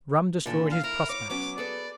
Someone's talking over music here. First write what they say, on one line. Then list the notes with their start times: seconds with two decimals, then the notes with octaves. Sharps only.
Rum destroyed his prospects.
0.46 A#2 D3 A4
0.72 F5
0.83 E4 A#4
1.09 C#5 D6
1.30 F#3 B3 C#4 D6
1.58 G#4 A4 B4 D5